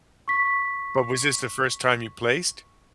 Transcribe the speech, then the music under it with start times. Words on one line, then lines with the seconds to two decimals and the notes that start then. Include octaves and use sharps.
But was this the first time you placed?
0.28 C#6 B6